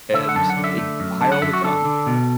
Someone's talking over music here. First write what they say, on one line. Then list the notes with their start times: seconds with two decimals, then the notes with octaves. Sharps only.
and it higher all the time.
0.14 D3 E5
0.29 F#5
0.35 F#2 A5
0.50 F#5
0.57 D3
0.64 E5
0.78 A3
1.00 F#2
1.21 D3 A5
1.32 F#5
1.42 F#2 E5
1.53 F#4
1.64 D3 A4
1.85 D3
2.07 B2